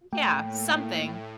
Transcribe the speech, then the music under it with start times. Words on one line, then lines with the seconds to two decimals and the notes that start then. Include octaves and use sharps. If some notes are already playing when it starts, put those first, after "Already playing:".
Yeah, something,
0.13 A2 A3 A#3 G5